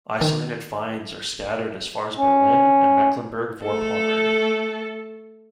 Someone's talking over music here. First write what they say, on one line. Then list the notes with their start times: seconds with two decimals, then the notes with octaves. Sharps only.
Isolated finds are scattered as far as Berlin and Mecklenburg-Vorpommern.
0.21 D#3
2.18 C#4
3.64 A3 A4